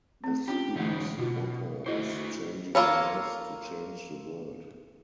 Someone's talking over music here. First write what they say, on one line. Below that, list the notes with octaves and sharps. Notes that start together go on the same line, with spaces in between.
The school's motto is "Changing Lives to Change the World".
A3 C4
C#4 D4 F4 G4
D3 E3 G#3 A3 D#4
B2 F4 F#4
A3 E4 F#4 C5 D#5
A#3 F4 A4 C#5